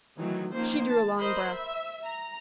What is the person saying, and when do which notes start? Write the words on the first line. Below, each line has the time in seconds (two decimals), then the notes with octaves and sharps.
She drew a long breath.
0.17 D#3 E3 F#3 A3
0.53 D#3 F3 A#3 C#4 C5
0.89 A5
1.19 A#4 C5 D#5 B5
1.51 E5
2.05 A#5